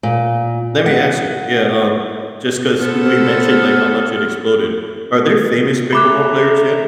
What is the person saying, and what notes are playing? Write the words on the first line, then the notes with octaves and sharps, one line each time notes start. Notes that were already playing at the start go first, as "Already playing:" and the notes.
let me ask you yeah, um, just 'cause we mentioned, like, how much it exploded. Are there famous pickleball players yet?
A#2
F#5
B3 A4 C5 F6
A3 E5 A#5 B5 D6 F#6